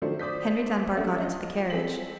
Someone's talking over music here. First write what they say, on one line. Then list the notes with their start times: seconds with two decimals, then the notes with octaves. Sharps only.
Henry Dunbar got into the carriage.
0.02 D#3 F3 F#3 A3 D4 C5
0.19 C5 D5 D#6 G6 B6
0.97 A3 C#4 D4 E5 F#5
1.20 F4 D#5
1.70 C4 G#4 A4 B6 F#7